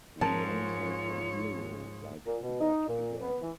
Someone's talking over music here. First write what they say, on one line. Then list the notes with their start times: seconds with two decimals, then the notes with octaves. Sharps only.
We won't have a hero like that again!
0.21 G#2 F3 F4 A#4 C#5 A5
2.27 A#2
2.42 B2
2.61 D#4
2.87 A#2
3.21 B3
3.42 E3